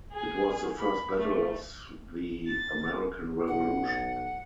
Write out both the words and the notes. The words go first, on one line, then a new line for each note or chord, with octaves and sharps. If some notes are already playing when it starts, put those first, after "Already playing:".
It was the first battle of the American Revolution.
G#4
B5
A3
A6
B1 F#5